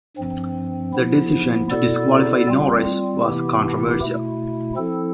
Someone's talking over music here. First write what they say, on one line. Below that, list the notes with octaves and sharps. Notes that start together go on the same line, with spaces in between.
The decision to disqualify Norris was controversial.
G2 F3 C4
F3 B3 E4
B2 B3 E4 A4 D5
G3 C4 F4
C3 E3 B3 E4 G4
B2 A3 E4
F3 C4 E4 A4